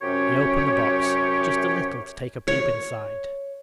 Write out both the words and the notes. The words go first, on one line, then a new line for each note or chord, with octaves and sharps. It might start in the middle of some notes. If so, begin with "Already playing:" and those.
She opened the box just a little to take a peep inside.
F#2 C3 C#4 G4 C#5
C#5